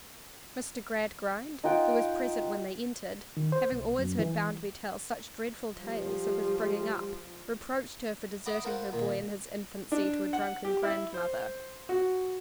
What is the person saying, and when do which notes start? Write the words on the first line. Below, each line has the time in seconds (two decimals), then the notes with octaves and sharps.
Mr. Gradgrind, who was present when they entered, having always heard Bounderby tell such dreadful tales of his bringing-up, reproached her for deserting her boy in his infancy to a drunken grandmother.
1.64 D#4 F4 F#5 G5
3.37 D#3
3.52 C5
3.72 C2
3.99 F#2
4.19 E3
5.78 F3 G3
8.46 D#5 E5 F#5 A#5 B5 D6
8.64 F4 A#4 C5 F#5 B5
8.92 A#2 D#3
9.92 D4
10.33 F#5
10.65 G4
10.83 E4
11.14 C5
11.89 F#4